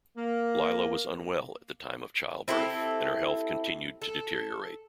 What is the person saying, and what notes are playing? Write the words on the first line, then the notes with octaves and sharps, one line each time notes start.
Lila was unwell at the time of childbirth, and her health continued to deteriorate.
A#3
C4 E4 G4 A4
A4